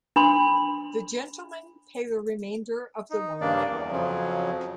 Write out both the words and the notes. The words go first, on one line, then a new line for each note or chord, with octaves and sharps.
The gentlemen pay the remainder of the wine bill.
D4 B5 C6
D#4
G2 C#3 A#3 D4 D5
E2
F2 C#3 F3 F#3